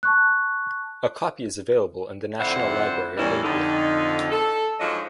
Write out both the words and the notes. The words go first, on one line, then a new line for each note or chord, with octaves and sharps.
A copy is available in the National Library of India.
A5 C#6 F#6
F2 A2 D3 E4 C5 F#5
E2 G2 G3 A#3 C#4 E4
F2 D3 D#4
A4
G#2 F3 F#3 D4 C#5 D#5